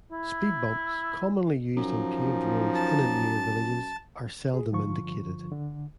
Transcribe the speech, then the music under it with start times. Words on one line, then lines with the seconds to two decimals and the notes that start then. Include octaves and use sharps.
Speed bumps, commonly used on paved roads in and near villages, are seldom indicated.
0.12 E4
1.76 F#2 F3 D#4
2.74 A5
4.54 G#4
4.72 G2 D3 F3 F4 C#6
5.52 D3